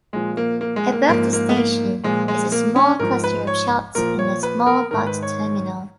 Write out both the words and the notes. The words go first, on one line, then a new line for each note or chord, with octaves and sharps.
Above the station is a small cluster of shops and a small bus terminal.
A#2 F3 G#3
A#3
A#3
G#3
A#3
G#2 F3 A#3
A#3
B3
A#3
A#2 F3 G#3
G#3
A#3
C#4
G#2 F3 A#4
B4
C#5
A#2 F3 A#4
C#5
B4
A#4
G#2 D#3 A#4
B4
C#5